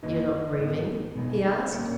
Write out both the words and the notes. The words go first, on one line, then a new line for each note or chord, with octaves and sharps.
"You're not grieving?" he asked.
F#2 D#3 F#3 A#3 D#4 B4 D#5
G#2 D#3 F#3 B3 D#4
B2 G#3 B3 D#4
A#2 A#3 C#4 A#4 C#5